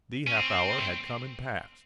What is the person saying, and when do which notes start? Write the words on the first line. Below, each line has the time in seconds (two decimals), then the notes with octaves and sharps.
The half-hour had come and passed.
0.27 C#4
0.37 C4
0.78 A3